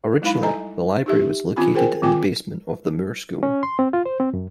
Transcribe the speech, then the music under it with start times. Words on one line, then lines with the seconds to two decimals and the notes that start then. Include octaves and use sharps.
Originally the library was located in the basement of the Moore School.
0.22 F#3 G#3 D#4 E4 F5 B5
0.43 G3 A4 D#5 G#5 A#5
1.06 D#4 G4 E5
1.56 D#3 C4 C#4 F4 G#5 B5
1.75 G#4 A#4 C5 G5 G#5
2.02 D#3 C4 F4 G5 G#5 D6
3.43 C#4
3.63 C6
3.79 C4
3.93 F4
4.06 C5
4.20 C4
4.34 F#2